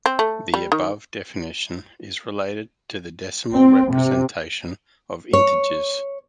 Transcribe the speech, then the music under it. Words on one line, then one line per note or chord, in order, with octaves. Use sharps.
The above definition is related to the decimal representation of integers.
C4
A3
G3
D#3
C4
C3
C#5